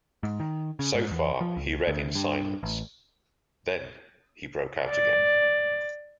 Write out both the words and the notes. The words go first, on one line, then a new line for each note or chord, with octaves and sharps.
So far, he read in silence; then he broke out again.
G#2
D#3
C#3
G#2
E2
F3
C#2
D2
G2
A1
D5